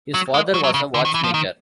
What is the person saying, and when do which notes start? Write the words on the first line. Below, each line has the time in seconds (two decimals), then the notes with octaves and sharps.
His father was a watchmaker.
0.14 F#3
0.34 G#3
0.54 F#3
0.64 F#3
0.74 C#3
0.94 D3
1.05 D#3
1.14 E3
1.24 F3
1.34 D#3